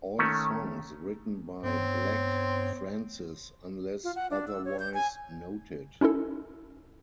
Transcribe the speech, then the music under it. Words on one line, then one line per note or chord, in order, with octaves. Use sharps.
All songs written by Black Francis unless otherwise noted.
D#3 A3 C#4
G2 B3 C4 C#5
F4
F#5
D4
E6
C#5
G6
G#5
C#4 D#4 E4 A4